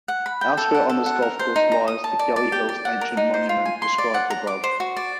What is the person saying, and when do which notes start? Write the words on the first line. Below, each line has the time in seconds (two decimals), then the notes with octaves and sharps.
Elsewhere on this golf course lies the Gally Hills ancient monument, described above.
0.08 F#5
0.26 B5
0.41 G5
0.57 A4
0.74 F#5
0.90 A4
1.06 F#5
1.22 A#4
1.39 C5
1.56 D#4
1.72 A#5
1.88 D#6
2.04 A5
2.19 D5
2.36 D5
2.52 G4
2.69 D5
2.85 F#5
3.01 A#4
3.17 D#4
3.34 C5
3.49 F4
3.66 G#5
3.82 C6
3.98 D5
4.14 F#5
4.30 A#5
4.47 D6
4.64 C5
4.80 F#4
4.97 D5